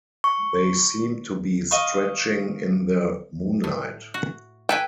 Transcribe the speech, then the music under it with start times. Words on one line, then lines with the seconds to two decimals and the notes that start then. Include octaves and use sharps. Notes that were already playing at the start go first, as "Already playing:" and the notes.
They seemed to be stretching in the moonlight.
0.24 C#6
1.71 D#5 F5 C#6
3.64 A2
4.14 F#4
4.69 A4 B4 G5 G#5